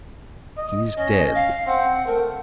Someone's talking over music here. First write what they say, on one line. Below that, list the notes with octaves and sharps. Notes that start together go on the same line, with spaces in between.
"He's dead."
D#5
C#4 D#5
F5
C4 F#5
A3 A#4